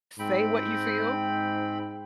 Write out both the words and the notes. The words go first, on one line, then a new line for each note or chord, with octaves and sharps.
say what you feel,
G#2 C4 G5 B5